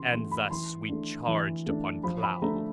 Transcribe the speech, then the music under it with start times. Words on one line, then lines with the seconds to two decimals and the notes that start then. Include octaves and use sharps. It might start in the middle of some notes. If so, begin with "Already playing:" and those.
And thus we charged upon Klow.
Already playing: C#3 E3 C6
0.12 E3 A3 C6
0.31 B5
0.50 E3 C6
0.89 A3 D4
1.27 E3
1.66 A3 D4
2.03 F3 B5
2.23 B5
2.42 A3 D4 A#5